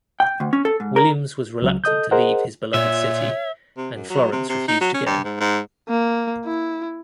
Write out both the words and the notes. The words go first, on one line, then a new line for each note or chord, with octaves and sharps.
Williams was reluctant to leave his beloved city, and Florence refused to go.
G5
D2
C#4
A4
G#2
A#4
C#2 F#3
A4 D#5 D#6 G6
G#4 A#4 C5 D#5 F#5
A#2 C#5 E5
C3
F#2
F#3
C3
C3
D#4
F#3
C#4
G2
G#2
G#2
A#3
E4